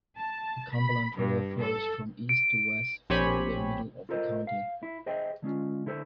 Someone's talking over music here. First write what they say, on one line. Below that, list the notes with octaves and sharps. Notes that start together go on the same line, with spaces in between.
The Cumberland River flows from east to west through the middle of the county.
A5
B5
G2
A4
D7
A#1 C4 G4 C#5 G#5 B5
F4 A4 A#4 C5 D#5
F5
E4
G#4 C5 D#5 E5 G5
D3 G#3 C#4 F4
D3 E4 A4 C5